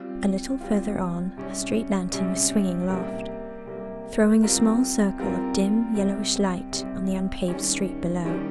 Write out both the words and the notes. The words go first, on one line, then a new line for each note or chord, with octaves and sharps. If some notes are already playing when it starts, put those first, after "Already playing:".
A little further on a street lanthorn was swinging aloft, throwing a small circle of dim, yellowish light on the unpaved street below.
Already playing: G3 C4 F4
G3 C4 F4
C3 G3 C#4
C3 G3 C#4
C3 G3 A#3
C3 G3 A#3
G3 C4 F4 A#4
G3 C4 F4 A#4
C3 G3 C4
C3 G3 C4
D#3 G3 C#4
D#3 G3 C#4